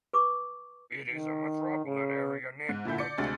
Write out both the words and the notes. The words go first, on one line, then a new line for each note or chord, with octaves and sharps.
It is a metropolitan area network.
B4 C#6 D6
D#3
C#3
G#2
A#2 D3 E4 G6
D5 C#7
D2 C3 G#3 D4 A6